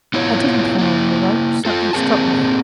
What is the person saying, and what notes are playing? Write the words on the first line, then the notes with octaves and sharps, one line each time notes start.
I didn't throw him the rope; something stopped me.
B3 E4 F4 C#5
A#3 E4
F4 A4
A#3 C4 G#4 A#4 A5